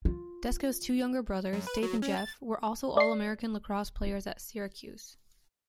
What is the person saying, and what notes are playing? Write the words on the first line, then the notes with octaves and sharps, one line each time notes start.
Desko's two younger brothers, Dave and Jeff, were also All-American lacrosse players at Syracuse.
F4
F#2
B4
F#3
C#4
A6
D5 C7